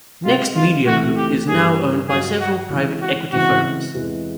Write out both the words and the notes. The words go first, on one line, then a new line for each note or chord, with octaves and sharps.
NextMedia Group is now owned by several private equity firms.
C3 D#3 G#3 F4
F4
C#2 C3 E3 A3 C4 F#4
G4
G2 E3 G3 A#3 D4 G#4
G2 D#3 F#3 G#4
F#4
C3 E3 G#3
F#4
C#3 E3 G#3 C4 F#4
E2 C3 E3 G#3